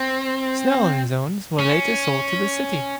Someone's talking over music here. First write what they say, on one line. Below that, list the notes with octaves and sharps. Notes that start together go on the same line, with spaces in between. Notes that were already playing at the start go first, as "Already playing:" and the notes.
Snail and his owns were later sold to the city.
Already playing: C4
C#4